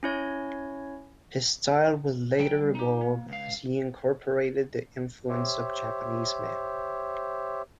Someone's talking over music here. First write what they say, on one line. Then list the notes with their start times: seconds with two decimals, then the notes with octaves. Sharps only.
His style would later evolve as he incorporated the influence of Japanese manga.
0.03 C#4 E4 C#5
2.39 F#3 G5
2.61 G3
2.75 D#4 G4
3.01 A#3
3.29 C#2 F5
5.29 G4 C5 C#5 E5